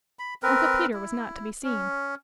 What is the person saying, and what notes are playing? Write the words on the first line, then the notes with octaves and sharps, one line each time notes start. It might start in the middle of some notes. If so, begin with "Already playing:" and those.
Uncle Peter was not to be seen.
B5
C4 A#4 B4
E4
C#4